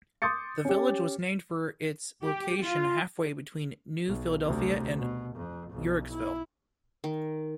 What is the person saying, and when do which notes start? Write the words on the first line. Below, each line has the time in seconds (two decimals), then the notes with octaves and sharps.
The village was named for its location halfway between New Philadelphia and Uhrichsville.
0.22 C6 D6 D#6 G6 A6 C#7
0.65 C#4 G4
2.23 G4
2.64 F4
4.06 B1
4.43 D2 C3
4.97 B2
5.36 F2
5.70 B1 F2
6.11 E4
7.04 D#3